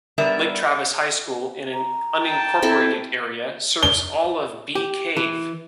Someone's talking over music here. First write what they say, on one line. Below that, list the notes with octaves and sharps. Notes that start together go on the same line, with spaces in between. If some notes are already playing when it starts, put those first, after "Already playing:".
Lake Travis High School, in an unincorporated area, serves all of Bee Cave.
G3 B3 D4 A#4 D5 E5
A#5
G5 A5
C4 E4 A4
G7
G4
E3